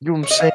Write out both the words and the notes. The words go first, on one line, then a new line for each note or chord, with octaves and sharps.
You know I'm saying?
C#5
D#5
F5